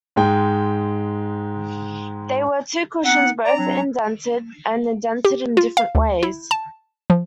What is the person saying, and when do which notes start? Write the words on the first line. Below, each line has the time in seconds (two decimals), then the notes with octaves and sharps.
They were two cushions, both indented, and indented in different ways.
0.16 G#2 G#3 G5
3.04 B3 C4 D#4 F#5
3.45 D5 A#5
3.57 F#3 C4 D4
5.25 G4
5.57 F4
5.77 F5
5.95 D2
6.23 E4
6.51 A5
7.10 F3